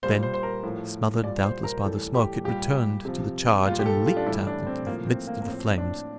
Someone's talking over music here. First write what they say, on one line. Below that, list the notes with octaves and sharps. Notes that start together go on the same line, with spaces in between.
Then, smothered doubtless by the smoke, it returned to the charge and leaped out into the midst of the flames.
A#2 G3 C5
C5
C5
A#4
A2 F3
A#2 G3 D5
C5
A#4
A2 E3 G3 A4
G4
A#2 G3 G4
C3 F3
A#2 G3 F4
G4
A4
F4
D4
A2 E3 G3 E4
D4
C4
A2 F3 A#3
C4
A#3
A#3
A2 F3 C4
D4